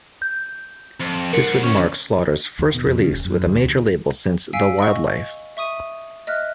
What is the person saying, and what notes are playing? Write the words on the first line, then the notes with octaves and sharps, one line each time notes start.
This would mark Slaughter's first release with a major label since "The Wild Life".
G6
F2
A#4 C5 F#5
D2 C#4
D#2
B2
F2
C#3
D#1
F#2
D2
D2
F5 G#5 E6 B6 D7
D#5 C#6
E5 C#6 D#6 D#7
D#5 E5 F6 F#6